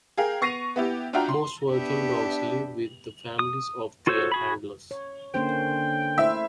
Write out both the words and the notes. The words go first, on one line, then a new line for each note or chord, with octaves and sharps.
Most working dogs live with the families of their handlers.
G#4 A#4 F5 G5
B3 C#6 A#6 C7 D#7 F7
B3 E4 G4
D4 F4 F#4 E5 G5 A#5
C6
B3 D4 G4 E5
D#6
F4 F#4 A4 C5 C#5
F#4 G#4 B5
C#5
D3 A#3 C#4 C5 G5
A3 E4 C5 E5